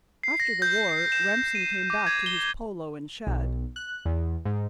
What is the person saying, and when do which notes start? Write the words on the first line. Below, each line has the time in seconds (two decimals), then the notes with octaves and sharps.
After the war Remsen came back to his polo and shad.
0.23 C7
0.40 A#6
0.62 G6
0.89 C7
1.12 E7
1.55 D#7
1.90 D6
2.06 G#6
2.26 G7
3.27 B1
3.76 F#6
4.06 E2
4.45 G#2